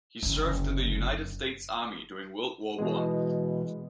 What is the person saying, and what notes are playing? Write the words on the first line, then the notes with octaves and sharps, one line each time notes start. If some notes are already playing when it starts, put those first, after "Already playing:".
He served in the United States Army during World War One.
F#1 D3
B2 E3 G#3